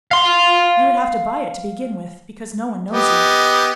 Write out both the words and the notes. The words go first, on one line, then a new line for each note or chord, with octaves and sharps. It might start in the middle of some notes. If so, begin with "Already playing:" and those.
You would have to buy it to begin with, because no one knows you.
F5 C6
B3 G4 D#5